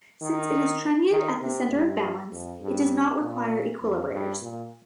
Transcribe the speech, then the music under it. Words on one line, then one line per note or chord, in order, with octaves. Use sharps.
Since it is trunnioned at the center of balance, it does not require equilibrators.
D#3
D#3
C3
G2
F2
G2
A#2
F2
G2
A#2